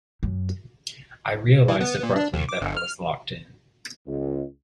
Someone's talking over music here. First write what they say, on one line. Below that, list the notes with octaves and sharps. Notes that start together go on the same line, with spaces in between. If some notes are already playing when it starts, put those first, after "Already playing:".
I realised abruptly that I was locked in.
F#2
E3
B3
A#2
D4
D#2
D6
G1
F6
C#2